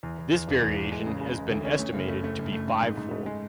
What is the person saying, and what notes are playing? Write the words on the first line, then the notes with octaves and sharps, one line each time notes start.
This variation has been estimated to be fivefold.
E2
E2
E2
E1
E2
E2
G#3
C#3
C#3
G#3
D2
C#4
A3
F#1
A3
A3
F#1
A3
G#2
G#2
G#2
G#2
G#3